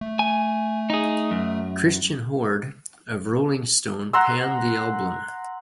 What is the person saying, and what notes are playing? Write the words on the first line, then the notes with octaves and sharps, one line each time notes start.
Christian Hoard of "Rolling Stone" panned the album.
A3
G#5
D#4 G#4
F#2
F#5 A#5 C6 E6